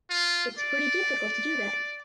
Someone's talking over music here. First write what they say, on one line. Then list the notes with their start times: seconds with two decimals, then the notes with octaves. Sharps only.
It’s pretty difficult to do that.
0.10 F4
0.59 D5